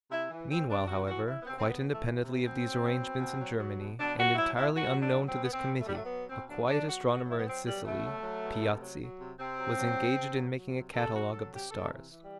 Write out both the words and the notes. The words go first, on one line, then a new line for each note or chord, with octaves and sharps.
Meanwhile, however, quite independently of these arrangements in Germany, and entirely unknown to this committee, a quiet astronomer in Sicily, Piazzi, was engaged in making a catalogue of the stars.
C3 E4
E3
E3 C4
C3 D4
C3 F#4
E3 F#4
E3 E4
B3
C3 C4
C4
C3 B3
E3
A3
E3
C3
B2 C4
F#3
F#3
B2
B2
F#3
F#3
B2
B2 D4
F#3 F#4
F#3 E4
B2 E4
B2 F#4
F#3
D4
F#3
C4
B2
B3
B2 C4
F#3
A3
G3
F#3 A3
B3
B2
B2 C4
F#3 D4
F#3 D4
B2 F#4
B2 F#4
F#3 E4
B3
F#3 C4
B2 G3
B2 A3
F#3
F#3
B2
C3
F#3
F#3
C3
C3 C4
F#3
F#3
C3
C3
F#3
F#3
C3
C3 A4
F#3 F#4
F#3 A4
C3 G4
C3 A4
E3
E3
G3